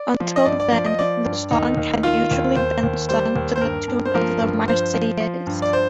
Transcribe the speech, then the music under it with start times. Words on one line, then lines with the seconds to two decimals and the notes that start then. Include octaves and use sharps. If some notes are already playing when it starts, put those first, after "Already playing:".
Until then, the song had usually been sung to the tune of the "Marseillaise".
Already playing: D5
0.20 F3
0.36 D#5
0.45 G2 D5
0.60 D5
0.72 F3 D5
0.86 D#5
0.99 F3 D5
1.26 G2
1.51 D#2 D#4
1.77 D#2
2.03 D#3 F4
2.31 D#2
2.56 D#2 C5
2.83 D#2
3.09 G3 C5
3.36 D#2
3.56 C5
3.61 G2 A#4
3.88 G2
4.05 C5
4.15 F3 A#4
4.41 G2
4.68 F3 C5
4.94 F3
5.20 F3
5.47 G2
5.62 D5
5.73 C5